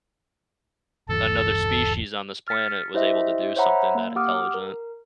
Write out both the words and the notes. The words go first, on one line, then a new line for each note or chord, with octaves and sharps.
another species on this planet was able to do something that intelligent.
D#1 G2 E3 A4
F6 A6 B6 C#7
E4 G4 C5 D#5 E5
C5 C#5 E5 F#5 A#5 B5
A#3
G4 F#5 D6 D#6 F6
A#4